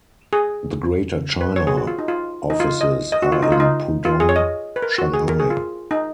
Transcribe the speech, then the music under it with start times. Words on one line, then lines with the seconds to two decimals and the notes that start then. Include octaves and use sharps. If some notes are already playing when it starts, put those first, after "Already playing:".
The Greater China offices are in Pudong, Shanghai.
0.33 G#4
1.41 B4
1.56 C#5
1.67 G#4
1.77 F#4
1.87 F4
1.99 D#4
2.08 F4
2.50 D#4
2.60 F4
2.81 D#5
3.12 D#5
3.22 F#4
3.32 F4
3.43 D#4
3.52 F4
3.60 D#4
4.05 F4
4.20 G#4
4.29 C#5
4.36 D#5
4.76 B4
4.82 A#4
4.98 F#4
5.14 G#4
5.29 A#4
5.40 G#4
5.50 F4
5.91 D#4